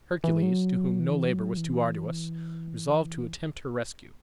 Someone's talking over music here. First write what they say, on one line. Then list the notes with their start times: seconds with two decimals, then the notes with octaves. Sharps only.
Hercules, to whom no labor was too arduous, resolved to attempt her rescue.
0.24 E3
0.43 F#3
1.00 E3
1.29 F#3
1.57 E3